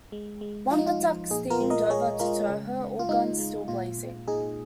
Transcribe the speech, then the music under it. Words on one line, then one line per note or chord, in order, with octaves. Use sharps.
"Wompatuck" steamed over to tow her, all guns still blazing.
G#3
G#3
F3 F4
D#4
F4
F3
A#2 D#4 G#4
F4 A#4
G#3
A#4 D#5
G#3 G#4 C#5
G#3 F4 A#4
C#3
C#3
F4
G#3 D#4
G#3
A#2 F4
A#2
A#2 D#4 G#4